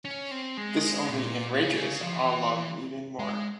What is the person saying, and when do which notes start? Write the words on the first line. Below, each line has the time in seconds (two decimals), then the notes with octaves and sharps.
This only enrages Ah Lung even more.
0.05 C#4
0.31 C4
0.57 G#3
1.09 A#2
1.62 C#3
2.02 F3
2.15 E3
3.19 G#3